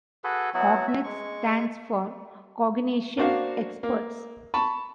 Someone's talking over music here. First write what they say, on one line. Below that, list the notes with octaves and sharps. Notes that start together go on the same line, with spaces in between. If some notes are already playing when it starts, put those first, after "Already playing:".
Cognex stands for Cognition Experts.
F#4 G#4 A4 B4
F#3 B3 E4 F#4
F#4 E5
G#3 C#6
A#3 D4 F#4 C5 F5
A#3
A5 B5 C#6